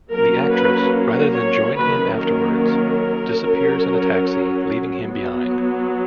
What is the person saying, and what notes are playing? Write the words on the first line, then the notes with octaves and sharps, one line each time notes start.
The Actress, rather than join him afterwards, disappears in a taxi, leaving him behind.
F#3 A#3 C#4 A#4
B4
C#5
D#3 F#3 A#3 C#4 B4
A#4
A#4
F#3 C#4
B3
F#3